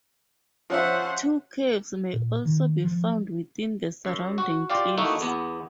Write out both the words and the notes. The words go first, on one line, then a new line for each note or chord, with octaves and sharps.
Two caves may also be found within the surrounding cliffs.
F3 C#4 C5 E5 F#5
A#2
D#3
F3
F#2
F#4
F4 G4 D5 F5
A3 A#3 D#4 E4 F#4
E2 B3